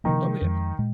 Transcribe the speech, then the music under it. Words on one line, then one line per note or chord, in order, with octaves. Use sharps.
Oh, yeah.
C3 D#3 F3 A#3 D#4
F2 F3 G#3
A#2 G#3